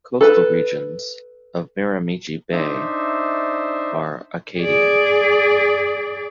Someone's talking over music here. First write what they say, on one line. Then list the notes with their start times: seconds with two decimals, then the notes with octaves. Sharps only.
Coastal regions of Miramichi Bay are Acadian.
0.21 A4 B4
2.52 D4 D#4 C5 E5
4.60 G#4 D5